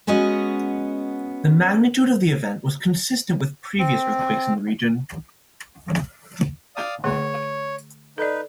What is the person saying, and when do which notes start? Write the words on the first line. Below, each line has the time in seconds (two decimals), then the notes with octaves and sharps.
The magnitude of the event was consistent with previous earthquakes in this region.
0.07 G#3 B3 C#4 F#4 D#5
3.79 C4
6.76 D5 F5 D#6
7.04 D3 A3 G#4 C#5
8.18 D#4 A4 B4 D5